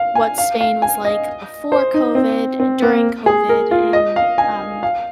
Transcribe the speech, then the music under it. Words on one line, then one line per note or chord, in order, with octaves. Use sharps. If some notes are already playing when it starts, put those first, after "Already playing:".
what Spain was like before COVID, and during COVID, and, um,
Already playing: F5
G#5
F5
F5
G#5
D#5
C5
D#4
C4
C4
A#3
G#4
A#4
F4
D#5
F5
G#5
F5